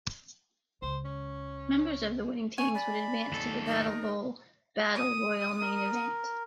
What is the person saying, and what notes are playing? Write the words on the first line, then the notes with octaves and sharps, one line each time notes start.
Members of the winning teams would advance to the BattleBowl battle royal main event.
C#2 C5
C#4
G#5 C#6
D5 B5
D#2 A4
D#4 A#4
D#6
A#4